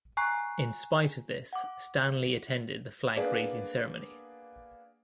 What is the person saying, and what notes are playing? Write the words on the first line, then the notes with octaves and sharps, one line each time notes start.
In spite of this, Stanley attended the flag raising ceremony.
G#5 A#5 C#6 F#6 C7
F#5 D6
A#3 B3 D4 G#4 B4 D5